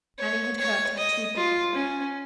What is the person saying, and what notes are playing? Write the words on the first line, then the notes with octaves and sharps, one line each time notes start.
Annie had hurt her too deeply.
C#5
C#5
D#5
F4
C#4